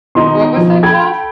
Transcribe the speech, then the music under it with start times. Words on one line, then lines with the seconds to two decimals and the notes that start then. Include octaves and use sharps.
What was that called?
0.15 B2 D#3 D#4 C6
0.56 F3
0.83 A4 G5 B5 G#6